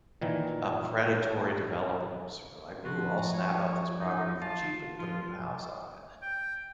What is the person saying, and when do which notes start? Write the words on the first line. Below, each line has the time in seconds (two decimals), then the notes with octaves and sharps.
um, predatory developers who were like, "Ooh, I'll snap up this property for cheap and put a new house on it."
0.21 A#2 D#3 E3
2.85 F3 F#4
3.33 C#5
3.99 D#4
4.42 F4 A5
4.99 F3 F4
6.22 G5